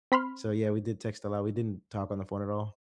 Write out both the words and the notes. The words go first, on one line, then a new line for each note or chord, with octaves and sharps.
So yeah, we did text a lot, we didn't talk on the phone at all.
C4 B5 C6 F6